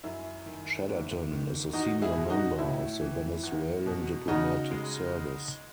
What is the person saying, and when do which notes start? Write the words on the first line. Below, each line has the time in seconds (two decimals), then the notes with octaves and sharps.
Chaderton is a senior member of the Venezuelan Diplomatic Service.
0.04 F#2 E4
0.46 D#3
0.89 G#2
1.32 D#3
1.73 E2 D#4 F#4
2.02 E4 G#4
2.16 B2
2.30 D#4 F#4
2.58 A2 E4
3.01 E3
3.43 E2
3.86 B2
4.28 C#3 D#4 F#4
4.71 G#3